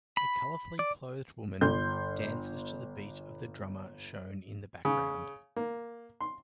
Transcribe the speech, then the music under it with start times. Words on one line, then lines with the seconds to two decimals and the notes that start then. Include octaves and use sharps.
A colorfully clothed woman dances to the beat of the drummer shown in the background.
0.17 B5
0.79 D5
1.61 G1 C6 G6
4.85 C#3
5.56 A#3
6.21 C6